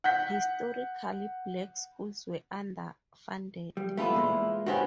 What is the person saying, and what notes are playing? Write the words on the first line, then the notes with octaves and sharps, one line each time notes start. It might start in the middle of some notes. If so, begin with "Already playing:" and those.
Historically black schools were underfunded.
F#5 G6 B6
G3
E3 A3 B3 E4 F4
A#2 G#3 A#3
G2 B3 C#4 F#4 G4 C5